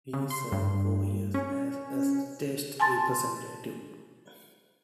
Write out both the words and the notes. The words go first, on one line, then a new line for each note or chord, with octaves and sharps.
He served four years as a state representative.
C#3
C6
G2
C#4
G#5 A5 C6 A6